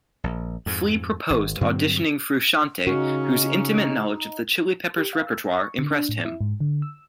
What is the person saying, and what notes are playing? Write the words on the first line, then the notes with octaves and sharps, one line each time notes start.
Flea proposed auditioning Frusciante, whose intimate knowledge of the Chili Peppers' repertoire impressed him.
A#1
F2 G#2
G#1
G2 D3 F#3 C4
C#3 C#4 D#4 F#4
G4
F5
E6
C#6
D3
D4
A2
E4
G#2
D3
E6